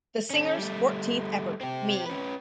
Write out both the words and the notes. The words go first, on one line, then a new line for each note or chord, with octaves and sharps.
The singer's fourteenth effort, Me.
C#4 A4
G3 A3
C4 G4
C#4 B4